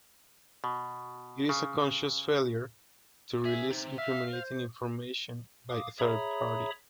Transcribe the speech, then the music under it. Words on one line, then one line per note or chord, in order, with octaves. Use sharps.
It is the conscious failure to release incriminating information by a third party.
B2
C#3
G#4 E5
C3 D#4
E5 F5
C5
F5 D6 D#6
G#4 C#5 E5 A#5 B5 D#6